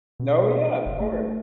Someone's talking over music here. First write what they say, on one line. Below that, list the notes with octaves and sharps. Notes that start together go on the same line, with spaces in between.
No, yeah, of course.
B2
G1
A3